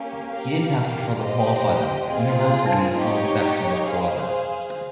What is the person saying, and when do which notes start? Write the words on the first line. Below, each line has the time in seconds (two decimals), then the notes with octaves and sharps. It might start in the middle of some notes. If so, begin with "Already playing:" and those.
He didn't have to further qualify them - universal means no exception whatsoever.
Already playing: A#3 C#4 G4
0.30 G4 A#4 F5
1.19 G4 C5 D#5 G5
2.08 C4 F4 G#4
2.97 D#4 G4 C#5
3.86 G#4 C5 F5